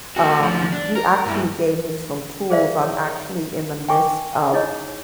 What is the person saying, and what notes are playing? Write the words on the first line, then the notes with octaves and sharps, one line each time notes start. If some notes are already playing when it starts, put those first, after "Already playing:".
Um, y you actually gave me some tools, I'm actually in the midst of
F#4 A4
D2 F3
D4
A#4
G2 E4
G#4 A#4 C5 D5 E5 F5
C#5
G5 G#5 C#6 D6
D#4 E4 G#4 C#5 D#5